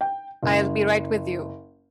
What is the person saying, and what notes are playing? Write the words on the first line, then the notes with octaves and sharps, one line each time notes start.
I'll be right with you.
G5
F#1